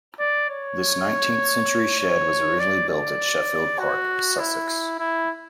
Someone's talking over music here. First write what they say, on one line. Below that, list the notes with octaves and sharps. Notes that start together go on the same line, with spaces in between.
This nineteenth-century shed was originally built at Sheffield Park, Sussex.
D5
C#5
C#5
D5
D5
F#4
E4
E4